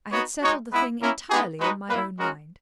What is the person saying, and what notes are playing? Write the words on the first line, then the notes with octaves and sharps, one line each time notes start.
I had settled the thing entirely in my own mind.'
B3 D#4 F#4 C#5
G#3 D#4 F#4 C#5
G#3 B3 E4 B4
A#3 C#4 E4 A#4
G#3 B3 D#4 G#4
G#3 D#4 F#4 B4
A#3 E4 B4
G#3 C#4 F#4 A#4